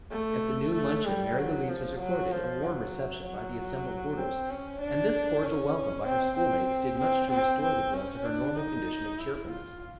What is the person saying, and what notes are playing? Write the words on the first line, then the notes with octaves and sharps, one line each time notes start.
At the noon luncheon Mary Louise was accorded a warm reception by the assembled boarders and this cordial welcome by her school-mates did much to restore the girl to her normal condition of cheerfulness.
A3
A3
G3
F#3
F3
F#3
F3
F#3
F#3
C4
C#4
D4
C#4
C4
C4
C4
C4
C4
C#4
D4
D#4
E4
F4